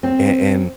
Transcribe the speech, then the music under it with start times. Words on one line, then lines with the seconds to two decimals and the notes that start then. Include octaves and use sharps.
and and,
0.03 C4